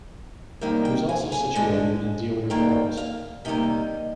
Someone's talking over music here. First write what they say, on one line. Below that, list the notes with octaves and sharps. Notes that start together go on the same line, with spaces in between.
It is also situated in a deodar forest.
C3 D#3 G3 A#3 D#5
G5
G#5
G#5
D3 G#3
D#3 G3 A#3 G5
F5
C3 D#3 G3 A#3 D#5